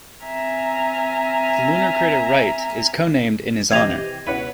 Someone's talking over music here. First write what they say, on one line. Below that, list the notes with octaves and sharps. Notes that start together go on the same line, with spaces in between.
The lunar crater "Wright" is co-named in his honour.
C4 E5 G#5 A#5 F6
C3 E3 G4 C5 D#5 G#6 F7
C#2 B2 E4 B4 C#5 F#5